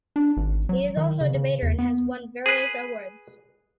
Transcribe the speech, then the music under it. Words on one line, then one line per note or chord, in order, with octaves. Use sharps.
He is also a debater and has won various awards.
D4
G#1
F#3
D#3
C#3
C#3
E2
B3
G#4 B4